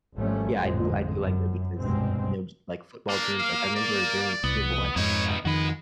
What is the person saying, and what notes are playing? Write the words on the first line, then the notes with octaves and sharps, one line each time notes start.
but yeah, I do I do like that because, you know, like football teams Like I remember during the Super Bowl, I think, uh
G#1 F3 G3 A3 C#4
A1 F2 G#2 D3 G#3
F#2
F1 C#2 G2 B2 G#3 C4
A#3 D4
F5
D5
C2 B3
F2 G#2 B3 D#4 C#5
F2 D#3 G#3 F#4 B4